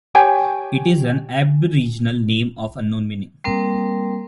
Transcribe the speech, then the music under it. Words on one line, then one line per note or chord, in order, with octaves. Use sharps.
It is an Aboriginal name of unknown meaning.
G4 C#5 G5 G#5
G3 A#3 C4 A#4